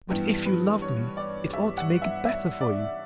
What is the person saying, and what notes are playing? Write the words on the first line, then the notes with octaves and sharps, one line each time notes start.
But if you loved me it ought to make it better for you.
G2 E3 G3 B3 G4
B4
C#5
D5
E5
F#5
E5
E5
D5